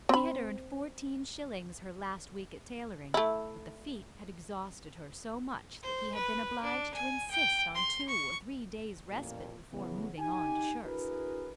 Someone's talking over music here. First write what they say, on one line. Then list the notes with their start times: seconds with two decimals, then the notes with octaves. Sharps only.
She had earned fourteen shillings her last week at tailoring, but the feat had exhausted her so much that he had been obliged to insist on two or three days respite before moving on to shirts.
0.09 C4 B5
3.14 A3 E4
5.82 C5
6.14 B4
6.63 D4
6.94 G#5
7.30 G5
7.74 C6
8.08 C#6
9.11 A1 F2 A#2
9.73 C#3 E3 F#3 B3
10.19 D#4 G4 G#5
10.85 D4 E4 F#4 G#4 A#4 B4